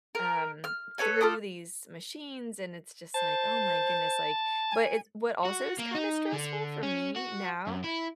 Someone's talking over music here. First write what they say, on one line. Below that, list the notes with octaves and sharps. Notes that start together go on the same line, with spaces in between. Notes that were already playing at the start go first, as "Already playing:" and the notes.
um, through these machines, and it's just like, "Oh my goodness," like but it what also is kinda stressful for me now
A#4
F6
A4 B4 C#5 G#5
F4 A4 D6 D#6
C5 A5
G#5
F#4
A#3
D#4
D3
C#4
F#4
F#2
E4